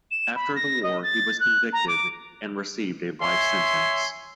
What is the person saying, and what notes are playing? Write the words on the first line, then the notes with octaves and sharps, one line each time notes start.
After the war he was convicted, and received a life sentence.
E7
B5
A#6
D#5
A6
F#6
A#5
D6
C#5 E5 G#5 C6